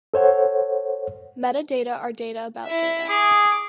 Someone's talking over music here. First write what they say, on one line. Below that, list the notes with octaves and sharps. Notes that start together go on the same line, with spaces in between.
Metadata are data about data.
A4 C5 C#5 F#5
E4 E5
G#4 D6